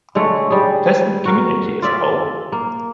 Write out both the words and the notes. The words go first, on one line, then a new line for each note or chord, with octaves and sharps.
Pleasant community as a whole.
D3 G#3 A3 C#5
G3 G#4
F#4 A#4
F4 D5 E5
A#3